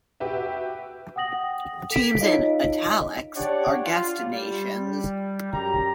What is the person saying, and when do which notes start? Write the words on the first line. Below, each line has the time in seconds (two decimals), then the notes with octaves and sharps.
Teams in "italics" are guest nations.
0.20 F#4 G4 B4 E5
1.16 F#5 G5 D#6 A#6 F#7
1.90 A4 B6 D7
2.21 D#4 F4 C#5 D#5 F5
3.35 D4 G4 C#5 D5 F#5
3.84 F4
4.20 G3
5.52 F#2 G4 A#5